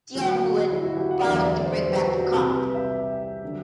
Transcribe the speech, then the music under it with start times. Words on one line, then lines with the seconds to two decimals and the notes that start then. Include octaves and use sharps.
Diarmuid vowed to bring back the cup.
0.15 D2 D3 F#3 F#4
0.42 F#4
0.70 E4
0.83 F#4
0.97 G4
1.11 F#5
1.20 D5
1.24 E2 D3 F#3 E5
1.38 D5
1.51 D5
1.66 C5
1.79 B4
1.92 G4
2.06 F#4
2.20 F#4
2.33 C2 C3 G3 G4
2.47 B4
2.74 E5
3.44 D3 F#3